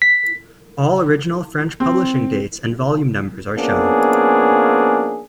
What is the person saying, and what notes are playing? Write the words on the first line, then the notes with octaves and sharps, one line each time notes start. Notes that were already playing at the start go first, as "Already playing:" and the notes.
All original French publishing dates and volume numbers are shown.
B6
C4
F3 A#3 B3 C#4 D4 G#4